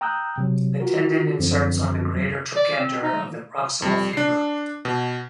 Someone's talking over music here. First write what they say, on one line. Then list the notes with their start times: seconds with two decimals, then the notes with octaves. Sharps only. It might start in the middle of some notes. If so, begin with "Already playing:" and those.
The tendon inserts on the greater trochanter of the proximal femur.
0.01 G5 A#5 D#6 E6 F#6 G6
0.38 C3 F#3
0.80 F4 F#4 A#4
1.39 F#2 D3 F3 C4
2.14 F2 F#3
2.56 D5
2.79 C4
3.03 D#4
3.82 F2 G3
4.13 D4 C7
4.85 B2